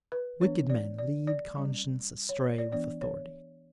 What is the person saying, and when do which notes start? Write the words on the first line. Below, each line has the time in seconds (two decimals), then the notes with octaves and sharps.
Wicked men lead conscience astray with authority.
0.12 B4
0.41 E3 B3 D4 C#5
0.70 D5
0.99 D5
1.27 D5
1.57 G3 C#4
2.29 C#5
2.58 D5
2.72 E3 B3 D4 D5
3.01 C#5